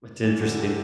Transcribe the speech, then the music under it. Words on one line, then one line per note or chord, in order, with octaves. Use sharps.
It's interesting.
E3
D3
C3